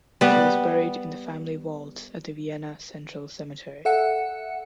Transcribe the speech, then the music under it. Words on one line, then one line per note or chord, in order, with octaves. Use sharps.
She was buried in the family vault at the Vienna Central Cemetery.
G3 B3
A4 E5 F#5 C#7